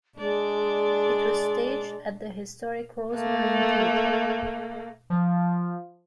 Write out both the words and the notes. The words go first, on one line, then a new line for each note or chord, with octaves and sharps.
It was staged at the historic Rose Marine Theater.
G#3 D4 D5
A3 A#3
F3